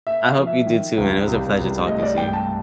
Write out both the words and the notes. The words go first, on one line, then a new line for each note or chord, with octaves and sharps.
I hope you do too, man, it was a pleasure talking to you.
A#3 E5
F5
F3
E5
D#3
C#2
C2
C2
A3 D#5
D#5
D5
G2 G5
A5